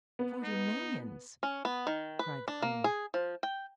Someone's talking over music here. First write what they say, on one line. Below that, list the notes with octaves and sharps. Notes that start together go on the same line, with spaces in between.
"Forty millions," cried the queen.
B3
D#4
C#4
B3
D#3
B4
D4
A#3
G#4
F3
G5